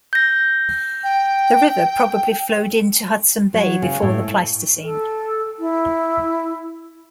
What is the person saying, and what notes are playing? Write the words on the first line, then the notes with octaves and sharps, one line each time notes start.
The river probably flowed into Hudson Bay before the Pleistocene.
G6 A#6
G5
F#3
C#3
A2
A4
E4